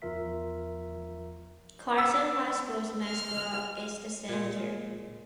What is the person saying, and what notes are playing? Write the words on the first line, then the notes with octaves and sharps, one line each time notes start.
Carson High School's mascot is the Senator.
E2 F3 F4 A#4 E5 B6
E6
F6
A#2 G#3